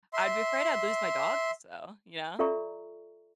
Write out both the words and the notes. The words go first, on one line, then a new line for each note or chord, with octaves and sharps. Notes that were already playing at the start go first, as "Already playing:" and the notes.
I'd be afraid I'd lose my dog, so, you know.
E5 C6
F4 A4 D5 E5 A#5 C#6